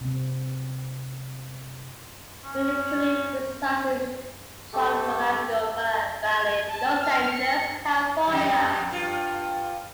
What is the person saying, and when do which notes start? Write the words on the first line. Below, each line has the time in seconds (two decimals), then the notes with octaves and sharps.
Moon currently resides in San Fernando Valley, Los Angeles, California.
0.01 C3 C4
2.44 C#4
4.73 A3 G4 A4
6.24 G#6
6.66 A5
7.03 F6
7.32 C#7
8.28 F2 G3
8.91 G2 F4